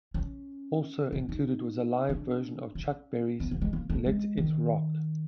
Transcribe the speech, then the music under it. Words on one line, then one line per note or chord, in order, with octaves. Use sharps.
Also included was a live version of Chuck Berry's "Let It Rock".
C#4
C#4
D#4
D4
C#4
B3
A#3
G#3
A#3
A3
G#3
D#3